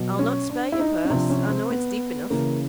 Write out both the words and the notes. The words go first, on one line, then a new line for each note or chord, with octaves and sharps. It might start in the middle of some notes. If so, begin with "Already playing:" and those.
I'll not spare your purse,--I know it's deep enough.
Already playing: B2 F#3
C#4
D4
E4
D#4
C#4
C3 F3 D4
C#4
C4
B3
C#3 E3 A#3